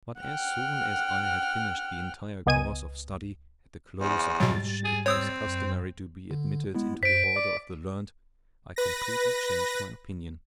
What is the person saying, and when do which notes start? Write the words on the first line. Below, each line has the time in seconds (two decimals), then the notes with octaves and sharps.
But as soon as I had finished the entire course of study, at the close of which it is customary to be admitted into the order of the learned, I completely changed my opinion.
0.20 F#5 G5 F6
2.46 C#2 B3 D#5 G#5 G#6 D#7
4.01 E2 C5 D5 C#6
4.40 G#2 B2 F#3 G3 A6
4.84 G#4
5.06 C4 C#5 D#6 E6
5.46 F#2
6.31 D3
6.75 G#3 B3 E4
7.03 F#2 C5 B6 D7
7.36 D5 D6
8.76 B4 A#6